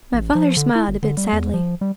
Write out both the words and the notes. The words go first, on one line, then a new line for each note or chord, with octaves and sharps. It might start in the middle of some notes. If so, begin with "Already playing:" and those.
My father smiled a bit sadly.
A1
F3
D3
E4
G1
D3
G3
E2
F3
G3